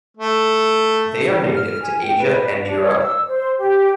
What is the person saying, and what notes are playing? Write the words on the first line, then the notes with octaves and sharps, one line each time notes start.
They are native to Asia and Europe.
A3
F6
G#5
G5
B4
D4
C#5
E6
C5
G4